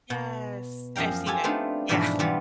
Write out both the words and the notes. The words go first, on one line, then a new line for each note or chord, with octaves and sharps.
Yes, I've seen it. Yeah.
B2
F#2 F3 F5 G5 A#5
F4 G4 A4 G#5
A3 B3 C4 D4 D#4 F4
G#2 B2 E3 F3 D4 B5
E3 G3 B3 F4